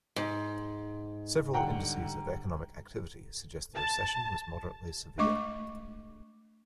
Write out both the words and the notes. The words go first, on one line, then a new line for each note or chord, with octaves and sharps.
Several indices of economic activity suggest the recession was moderately severe.
G#2
D3 G3 F#5 G5 A#5
A5
G#3 A3 D4 D#5 C#6 D6